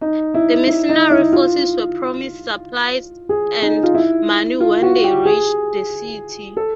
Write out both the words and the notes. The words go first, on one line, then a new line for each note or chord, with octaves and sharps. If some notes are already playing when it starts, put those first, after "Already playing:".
The mercenary forces were promised supplies and money when they reached the city.
D#4
E4
E4
D#4
E4
F4
G#4
D#4
F4
E4
F4
F#4
G4
G#4
A4